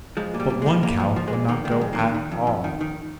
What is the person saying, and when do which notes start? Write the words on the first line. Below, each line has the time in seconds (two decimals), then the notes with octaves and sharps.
But one cow would not go at all!
0.17 F3 G#3
0.34 A#2
0.40 G3
0.50 A#2
0.62 F3 G#3
0.83 A#2 A#3
1.00 F3
1.16 F3
1.28 G#3
1.33 A#2
1.48 D#3 A#3
1.65 D#3
1.71 G#3
1.81 F2
1.93 A#3
1.99 D#3
2.14 D#3
2.31 F2
2.47 F2
2.64 D#3
2.81 D#3